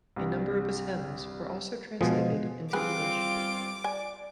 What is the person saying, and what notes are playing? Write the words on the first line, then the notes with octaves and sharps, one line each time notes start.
A number of his hymns were also translated into English.
C2 G2
B2 F3 G#3 G#4 C5
G3 C4 F4 G#4 B4 D6
D5 G#5